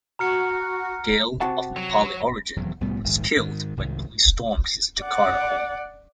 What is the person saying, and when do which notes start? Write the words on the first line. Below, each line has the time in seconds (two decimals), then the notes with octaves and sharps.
Ghale, of Nepali origin, was killed when police stormed his Jakarta home.
0.19 F#4 A#5 F6 C#7
1.41 C3 F#4 F#5 A5
1.77 F#3
2.56 D#1 E2 F#3
2.81 C2 A2 G3 B3
3.04 D#1 A#1 G#2 D#3
3.37 G#2 D#3
3.77 C2 G#2 D#3
5.02 D5 F#5